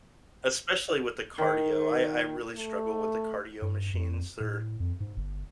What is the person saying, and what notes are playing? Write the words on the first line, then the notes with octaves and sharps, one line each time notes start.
Especially with the cardio. I I really struggle with the cardio machines, they're
D#3
A3
G2
F2
A2
F2
G#2
G1